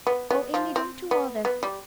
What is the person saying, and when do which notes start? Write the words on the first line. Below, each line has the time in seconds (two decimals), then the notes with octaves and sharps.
'O Amy, don't do all this.
0.07 B3
0.30 B3
0.54 F3
0.76 C4
1.11 B3
1.45 B3
1.63 G3